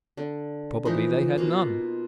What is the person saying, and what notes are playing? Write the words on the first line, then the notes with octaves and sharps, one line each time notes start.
Probably they had none.
D3
E3 F3 D#4 A#4
B2 A#3 F4